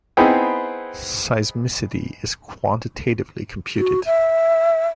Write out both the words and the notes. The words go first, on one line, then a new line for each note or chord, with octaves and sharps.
Seismicity is quantitatively computed.
B3 C4 D#4 E4 G#4 G5
F#4
E5